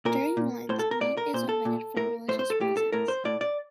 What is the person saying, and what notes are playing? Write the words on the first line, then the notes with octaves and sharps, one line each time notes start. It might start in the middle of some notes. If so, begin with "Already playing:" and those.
During Lent, meat is omitted for religious reasons.
A#2 A#4
A#2
A2 C5
A4
A#4
A2 D5
A#4
A#2 C5
A4
A#2
A2 A#4
A2 C5
C5
A4
A2 G4
A4
A2 A#4
C5
A2 D5
D5